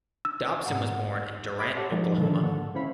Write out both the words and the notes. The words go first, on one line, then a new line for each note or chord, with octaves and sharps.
Dobson was born in Durant, Oklahoma.
E6
G#2 F#5 A#5
G5 B5 C6 D6 D#6 G#6
G4 A4 C#5 E5 F#5 A5
F3 G#3 D#4 A#4 B4 D5
A#2 D3 D#3 F3 A#3 A4
G#2 A#3 A4 F#5
C#4 E4 C5 C#5 F5 B5